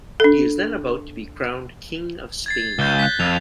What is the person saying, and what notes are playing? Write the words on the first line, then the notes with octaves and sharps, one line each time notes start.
He is then about to be crowned King of Spain.
D4 A4
G#6 A6 C7
C#2 G6 G7
F#6 B6
F2 F7